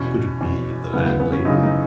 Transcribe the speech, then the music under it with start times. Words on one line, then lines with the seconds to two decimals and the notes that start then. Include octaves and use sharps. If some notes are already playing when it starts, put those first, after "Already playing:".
Could it be the landlady?
Already playing: E2 B2 C#4
0.41 E2 B2
0.93 F#2 C#3 E3 B3
1.06 B3
1.20 B3
1.32 C#4
1.45 F#2 C#3 E3 D#4
1.63 D#4